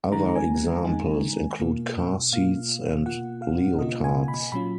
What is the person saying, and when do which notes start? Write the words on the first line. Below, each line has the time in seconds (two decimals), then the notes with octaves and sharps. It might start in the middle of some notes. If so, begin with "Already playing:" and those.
Other examples include car seats and leotards.
0.12 D#3 G#3 D#4 A#5
0.29 A#5
0.36 G#5
0.85 D#3 G#3 D#4
1.59 B2 A#3 F4
2.32 B2 A#3 F4 F5
3.06 B2 A#3 F4 F#5
3.42 F5
3.79 B2 A#3 F4 D#5
4.04 G#5
4.28 B5
4.52 A#2 F#3 C#4 F4 B5